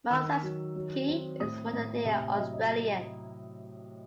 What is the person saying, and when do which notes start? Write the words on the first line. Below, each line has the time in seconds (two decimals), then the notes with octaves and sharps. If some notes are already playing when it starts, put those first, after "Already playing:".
Malceski is a Macedonian Australian.
0.10 D#3 E6
0.43 F#3
0.76 F#3
1.08 C4
1.40 A2 D#6
1.73 A2
2.05 C3 E5
2.21 E5
2.37 F#3 D#5
2.54 D#5